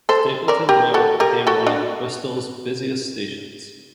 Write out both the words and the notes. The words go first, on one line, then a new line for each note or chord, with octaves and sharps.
Stapleton Road became one of Bristol's busiest stations.
A4 C5
A#4 D5
G4 A#4
F#4 A4
G4 A#4
F#4 A4
D4 F#4